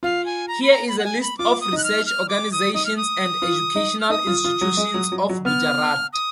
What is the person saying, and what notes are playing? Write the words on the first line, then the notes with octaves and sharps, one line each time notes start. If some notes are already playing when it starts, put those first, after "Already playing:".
Here is a list of research organisations and educational institutions of Gujarat.
F4 F5
G#5
A#5
B5
A#5
B5
F#5
G#5
B5
F4 D6
D#6
D#4 F#6
F6
F6
D6
D#6
D#4 D#6
F6
D#6
F4
D#4
F6
D#4 D#6
F4
F4
F#3
G#3
F#3
F#3
F#3
B3 F6
D#6